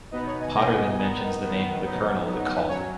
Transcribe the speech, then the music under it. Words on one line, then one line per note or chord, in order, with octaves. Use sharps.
Potter then mentions the name of the colonel that called.
B2 B3 D#4 B4 D#5
C#5 F#5
D#5 G#5
B2 B3 D#4 D#5 G#5
D#3 B3 D#4
D#3 B3 D#4
F#3 B3 D#4
F#3 B3 D#4
B4
F#3 C#4 C#5